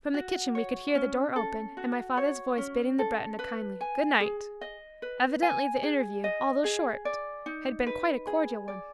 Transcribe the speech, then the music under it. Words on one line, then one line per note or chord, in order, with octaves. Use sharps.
From the kitchen we could hear the door open and my father's voice bidding the Breton a kindly "good night" Evidently the interview, although short, had been quite a cordial one.
F#4
C#5
C#4
A4
F#4
C#5
C#4
A4
B4
G#5
G#4
D#5
B4
G#5
G#4
D#5
G#4
D5
D#4
B4
G#4
D5